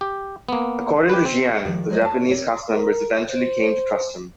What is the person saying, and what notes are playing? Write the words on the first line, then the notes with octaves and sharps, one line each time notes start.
According to Jiang, the Japanese cast members eventually came to trust him.
G4
A#3 B3
G4 B4
C4
D#3 F3 G4 D5
F#3 G#3 A#4 C5 D5 D#5
A5
C4 A#4 C#5 D5
A#4
C5